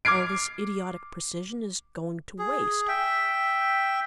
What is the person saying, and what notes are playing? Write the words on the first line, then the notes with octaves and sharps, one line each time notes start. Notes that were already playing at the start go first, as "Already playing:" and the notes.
All this idiotic precision is going to waste.
D6 F6 G#6 C7 D7
G#4
E5 G5